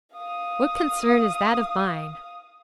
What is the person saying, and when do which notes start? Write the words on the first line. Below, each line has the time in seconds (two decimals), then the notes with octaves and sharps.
"What concern is that of mine?"
0.13 F5 D#6